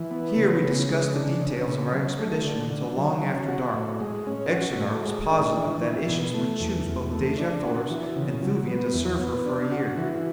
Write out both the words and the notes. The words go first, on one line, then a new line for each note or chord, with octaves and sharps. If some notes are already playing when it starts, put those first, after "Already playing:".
Here we discussed the details of our expedition until long after dark. Xodar was positive that Issus would choose both Dejah Thoris and Thuvia to serve her for a year.
Already playing: E3
B3
C#3
C#3
G#3
D4
C#3
C#3
F#3
A3
D3
D3
F#3
C#4
F#4
A2
G#3
C#4
F#4
A2
G#3
D4
E3
E3
B2
A3
E2
E2
A3
D4
F#4
E3
C#3
F#3
B3
E2
B3
D4
F#4
E3